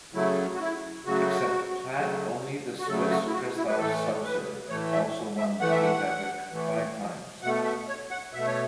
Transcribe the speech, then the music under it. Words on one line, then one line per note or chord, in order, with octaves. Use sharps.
Except Platt only the Swiss Christoph Sauser also won the Cape Epic five times.
C#3 F#3 A3 E4
F#4
E4
C#3 F#3 A3 F#4
C#3 F#3 A3
F#4
C#3 F#3 A3 A4
F#4
E4
F#4
E4
B4
A2 E3 A3 A4
B4
A2 E3 A3 C#5
E5
E5
A2 E3 A3 F#5
E5
F#5
A2 E3 A3
B2 A3 F#5
E5
C#5
F#5
B2 A3 E5
C#5